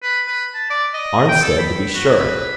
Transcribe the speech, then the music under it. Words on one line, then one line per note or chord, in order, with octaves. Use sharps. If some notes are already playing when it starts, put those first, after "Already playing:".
"Arnstead, to be sure."
B4
B4
A5
D5
D#5
G5
A4
B5
F#4
B4